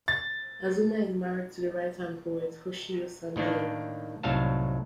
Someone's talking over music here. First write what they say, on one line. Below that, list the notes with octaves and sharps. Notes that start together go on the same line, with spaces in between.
Azuma is married to the writer and poet Hoshio Sanae.
A6
A2 D#3 A#3 D4
C2 A2 F#3 D#4 F5 A5